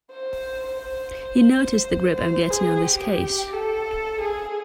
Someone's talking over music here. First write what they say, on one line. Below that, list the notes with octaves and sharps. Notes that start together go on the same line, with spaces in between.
You notice the grip I am getting on this case.
C5
C5
C5
G#4
G4
A4
G#4